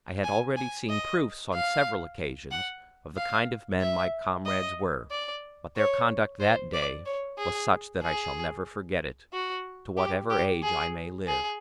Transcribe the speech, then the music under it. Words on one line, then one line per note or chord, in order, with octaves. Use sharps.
I had already seen proofs on several occasions of the kind of men my comrades were, but their conduct that day was such that I shall never forget it, to whatever age I may live.
G#5
G#5
D#5
F5
F#5
F5
E5
D#5
D5
C#5
C5
D5
C#5
G#4
G#4
F#4
G4
G4
G#4
G#4